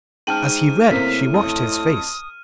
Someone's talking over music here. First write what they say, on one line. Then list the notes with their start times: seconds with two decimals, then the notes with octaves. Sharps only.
As he read she watched his face.
0.27 G#2 G5 A5 F6 D#7 F#7
0.91 A2 C3 A#3 C4 B6
1.34 F2 D#6